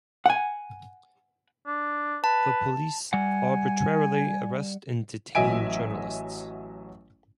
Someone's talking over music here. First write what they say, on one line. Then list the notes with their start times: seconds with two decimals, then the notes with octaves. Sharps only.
The police arbitrarily arrest and detain journalists.
0.26 F#5 G#5
1.67 D4
2.24 B4 A5
3.13 G3 F#5 G#5
5.35 A1 F#3 D#5 E5 G#5 D7